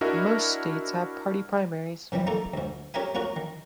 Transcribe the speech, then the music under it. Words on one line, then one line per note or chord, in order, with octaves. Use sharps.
Most states have party primaries.
D4 E4 F#4 A#4 D#5 E5
F#2 C3 E3 G3
A3 A#3 D#4 A4
D2 G#2
C#4 G4 A#4 E5 G#5
A#3 C#4 F#4 A#4
D#3